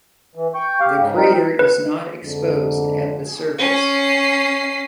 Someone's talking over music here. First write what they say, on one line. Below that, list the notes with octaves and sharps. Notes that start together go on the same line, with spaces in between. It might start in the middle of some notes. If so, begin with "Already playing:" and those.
The crater is not exposed at the surface.
E3
G5 C#6 G6
G4 F5
G#2 C#3
C4 D#4 A#4
B4
F2 G#2 D3
C#4 C7